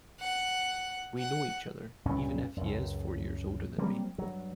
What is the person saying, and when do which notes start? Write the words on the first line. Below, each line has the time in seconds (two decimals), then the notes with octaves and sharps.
We know each other, even if he is four years older than me.
0.20 F#5
1.18 F#5
2.05 C#2 G2 A#2 C#4
2.57 C#2 F#2
3.78 F#3 G3 A#3 C4
4.18 G2 F#3